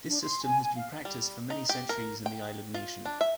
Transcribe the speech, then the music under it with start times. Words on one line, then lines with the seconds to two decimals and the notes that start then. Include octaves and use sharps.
This system has been practised for many centuries in the island nation.
0.07 D4
0.23 C6
0.43 G#5
0.61 G#5
0.75 F5
1.05 G3
1.50 D#4
1.69 G4
1.89 A#4
2.26 G5
2.74 F4
3.05 D4
3.21 E5